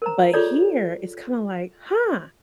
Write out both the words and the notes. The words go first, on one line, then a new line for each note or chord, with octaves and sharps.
but here it's kinda, like, "Huh,
A#4 C5 A#5
F4 G#4 A4 C#5 D5